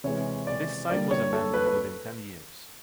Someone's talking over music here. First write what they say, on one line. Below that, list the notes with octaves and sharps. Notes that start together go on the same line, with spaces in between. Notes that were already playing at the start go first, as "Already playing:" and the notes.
This site was abandoned within ten years.
C3 E3 G#3 C#5
D5
D3 G3 A#3 D5
C#5
A4
B4
B4